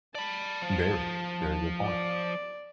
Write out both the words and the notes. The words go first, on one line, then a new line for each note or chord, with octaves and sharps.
Very. Very good point.
D5 A5 B5
F3
D5